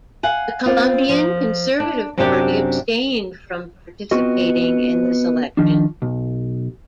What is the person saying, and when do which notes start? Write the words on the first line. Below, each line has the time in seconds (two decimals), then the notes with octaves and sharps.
The Colombian Conservative Party abstained from participating in this election.
0.23 F5 F#5 G#5
0.66 B3 C4 F4
1.09 F3
1.80 D4
2.18 F#2 C3 D4 F#4 G4 D5
4.11 B3 C4 F4 F#4 D#5
5.57 D#3 F3 D4
6.02 B1